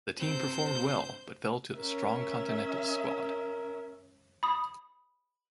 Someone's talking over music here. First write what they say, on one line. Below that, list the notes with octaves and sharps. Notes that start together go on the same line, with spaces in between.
The team performed well but fell to the strong Continentals squad.
G2 C3 C4 C5 G6
C#4 A#4 E5
B5 D#6